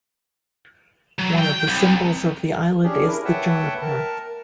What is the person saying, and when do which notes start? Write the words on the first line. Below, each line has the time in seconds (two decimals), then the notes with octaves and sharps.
One of the symbols of the island is the juniper.
1.19 F#3
1.39 G5
1.68 C2
2.84 C#4 D4 G4 G#4
3.07 E4 A#4
3.25 B4 C#5 E5 F#5 G5 A5
3.81 A#4 A5